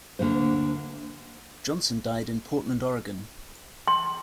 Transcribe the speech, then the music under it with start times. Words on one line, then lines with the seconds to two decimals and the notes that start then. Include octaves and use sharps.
Johnson died in Portland, Oregon.
0.19 D2 D3 D#3 A#3 C5
3.88 C6